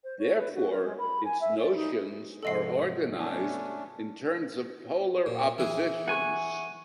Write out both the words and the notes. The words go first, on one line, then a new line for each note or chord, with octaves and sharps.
Therefore, its notions are organized in terms of polar oppositions.
C5
C#5
B4
F#4
A#4
G#3
B5
G#5
E5
D5
D#4
G#2 C3 F3 F#4 A4 D#5 C7
A3 B3 C#4 D4
A#2
E3 G#4
F#5 G#5 C#6